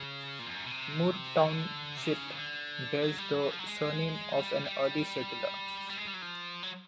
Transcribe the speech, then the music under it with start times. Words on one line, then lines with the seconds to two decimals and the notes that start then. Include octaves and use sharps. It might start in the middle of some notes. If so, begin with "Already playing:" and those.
Moore Township bears the surname of an early settler.
Already playing: C#3
0.39 A#2
0.46 F2
0.55 F#2
0.65 B2
0.71 C3
1.37 D3
1.97 C3
2.03 C#3
2.30 D#3
2.36 D3
3.02 F#3
3.18 G3
3.34 F#3
3.43 E3
3.51 F3
3.59 F#3
3.67 G#3
4.33 G3
4.65 G3
5.90 G3
5.97 G#3
6.06 G3
6.14 F#3
6.22 F3
6.63 F#3